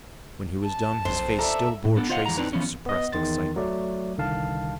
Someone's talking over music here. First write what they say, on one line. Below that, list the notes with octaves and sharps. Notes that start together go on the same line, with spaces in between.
When he was done his face still bore traces of suppressed excitement.
A5
B1 F2 C5
A4 D5 E5 A5 A#5
A2
B3 D4 A4
F4 C5 D#5 F5 F#5
F2 E3 G#3 A#5
C4 D4 D#4 B4
E3 F3 B3 C#4
B3 D#5
E2 D#3 C6 A6
F#3 A3 D5
C2 D3 D#3 F5 A5